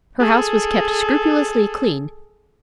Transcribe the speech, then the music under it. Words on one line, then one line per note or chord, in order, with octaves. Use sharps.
Her house was kept scrupulously clean.
G#4 A4